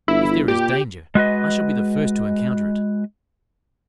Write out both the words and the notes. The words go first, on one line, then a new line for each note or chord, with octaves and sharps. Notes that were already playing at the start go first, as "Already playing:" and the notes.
If there is danger, I shall be the first to encounter it.
G1 E4
A#2 G4
G#3 F#4 B4 D#5